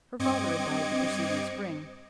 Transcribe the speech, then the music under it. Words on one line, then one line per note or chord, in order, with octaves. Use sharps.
Her father had died the preceding spring.
G2 C4 D#5 D6 G#6 C#7